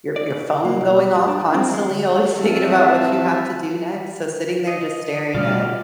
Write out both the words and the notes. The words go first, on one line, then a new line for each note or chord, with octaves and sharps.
your your phone going off constantly, always thinking about what you have to do next, so sitting there just staring at,
D5
C#3
A#3
B2
F#2
D4
C4
G#3
D2
A1 C4 E5 F5 A5
D#5
B2 G3 A3 F4 D5 F6